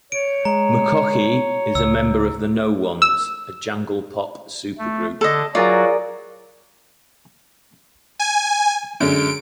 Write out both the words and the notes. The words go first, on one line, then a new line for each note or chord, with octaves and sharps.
McCaughey is a member of The No Ones, a jangle pop supergroup.
C#5 D7
G#3 A#5
C#2 E6
E6
A3
D3 A4 D#5
F#3 F4 F#4 G#4 A#4 D5
G#5
F#2 D3 G#3 D7